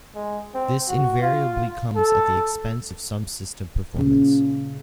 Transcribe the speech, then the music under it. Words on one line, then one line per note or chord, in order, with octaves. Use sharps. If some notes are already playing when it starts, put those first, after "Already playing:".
This invariably comes at the expense of some system performance.
G#3
C4
F#4
F4
A4
A#2 C#3